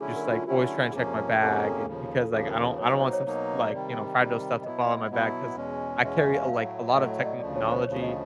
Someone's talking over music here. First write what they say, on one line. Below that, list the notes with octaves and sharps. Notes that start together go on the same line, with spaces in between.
just, like, always trying to check my bag and because, like, I don't I don't want some s like, you know, fragile stuff to fall out my bag 'cause I carry, like, a lot of technology
D3 F#3 A3 C#4 E4 G#4
A#4
F4
D3 F#3 A3 C#4 E4 G4
F2 C3 F3 A#3 C#4 G#4
F2 C3 F3 A#3 C#4 A4
G#4
A4
D#2 C#3 F3
A4
D#2 C#3 F3 G#4
A#4
B4
B2 F#3 A#3 D#4 C#5
C5
C5
C#5
B2 F#3 A#3 D#4
C3 D#3 G3 D5
C3 D#3 G3
B2 F#3 B3 E4 D#5
D#5
B2 F#3 B3 E4
E2 B2 G#3 C#4
E2 B2 G#3 C#4 E5
E5
F5
E5
A2 F#3 A3 F5
D#5
A2 F#3 A3 E5
D5
D#5
D2 C#3 F3 A3 D5
C#5
C5
D2 C#3 F3 A3 C#5
D#5